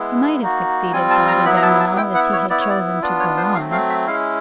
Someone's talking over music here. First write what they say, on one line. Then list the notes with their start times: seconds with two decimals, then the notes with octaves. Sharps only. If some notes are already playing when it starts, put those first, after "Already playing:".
"He might have succeeded, Father Benwell, if he had chosen to go on."
Already playing: G#3 B3 E4
0.40 A#3 D#4 F#4
0.92 G3 C4 F4 G#5
1.10 A5
1.27 A#5
1.45 F#3 B3 E4 B5
1.56 A#5
1.62 A5
1.80 A5
1.97 B3 E4 G5
2.15 F#5
2.32 C#5
2.50 B3 E4 D5
2.60 C#5
2.70 D5
3.02 B3 D4 F4 D5
3.20 C#5
3.37 C5
3.55 F#3 A3 C4 F5
3.72 F5
3.89 E5
4.07 G#3 C#4 E4 F5